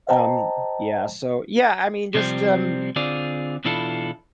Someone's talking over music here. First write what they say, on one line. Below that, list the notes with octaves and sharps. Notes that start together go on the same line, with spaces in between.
um yeah, so yeah, I mean, just, um,
C5 D#5 G5 A5 A#5
C3 F3 G3 C4
D3 C4 F4 G#4 D5
B2 E3 D4 E4 F4 A4